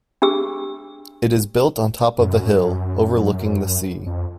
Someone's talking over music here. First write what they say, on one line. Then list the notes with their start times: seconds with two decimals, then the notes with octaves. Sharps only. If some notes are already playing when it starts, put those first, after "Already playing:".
It is built on top of a hill, overlooking the sea.
0.22 D4 G4 G#4 E6
2.19 F#2
4.06 F2